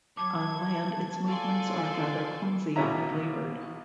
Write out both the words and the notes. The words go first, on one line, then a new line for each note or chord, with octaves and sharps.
On land its movements are rather clumsy and laboured.
F#3 A5 D6 G#6
F4 A4 D5 G#5 C6
A#1 B2 E3 C#4 E5 A#5